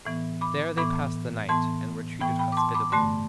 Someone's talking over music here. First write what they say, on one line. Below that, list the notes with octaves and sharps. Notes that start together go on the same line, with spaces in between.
There they passed the night and were treated hospitably.
A2 E3 B3
B5 D6
A2 E3 B3 B5 D6
A2 E3 B3 A5 C6
A2 E3 B3 G5 B5
G5 B5
D6
A5 C6
B5 D6
G2 D3 A3 A5 C6